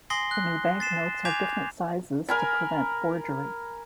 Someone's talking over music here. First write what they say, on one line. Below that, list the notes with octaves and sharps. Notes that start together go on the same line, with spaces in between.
The new banknotes have different sizes to prevent forgery.
G#5 C6 D#6 A#6 C7 G7
F#6
A6 C7 E7
G#5 D6 G6 G#6 B6 F7
A#4 G#5 B5